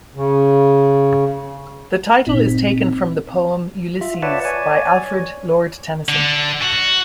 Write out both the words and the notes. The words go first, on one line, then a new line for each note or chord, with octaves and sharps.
The title is taken from the poem "Ulysses", by Alfred Lord Tennyson.
C#3
G1 A#2 C4 D#4 B6
F4 E5
B4 C#5 D5 E5 F#5 A5
C#5 D5 G#5
D3
F#4